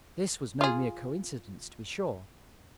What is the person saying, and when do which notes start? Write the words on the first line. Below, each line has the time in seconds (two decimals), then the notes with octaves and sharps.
This was no mere coincidence, to be sure.
0.61 F4 G#4